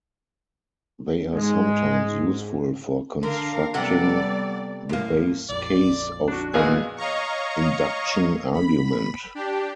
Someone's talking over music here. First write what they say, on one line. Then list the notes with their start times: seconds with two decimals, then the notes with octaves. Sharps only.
They are sometimes useful for constructing the base case of an induction argument.
1.33 G#2 G#3
3.23 D3 A#4 F5
3.74 C3 G3 B3 A4 D5 F#5
4.89 F#2 A2 A#3
5.49 A#1 F2 D5
6.28 D4 F#4
6.54 A#2 B3 G#4 D#5 F5 F#6
6.97 C#5 D#5 F5 A#5 C#6
8.53 B5
9.35 D4 G4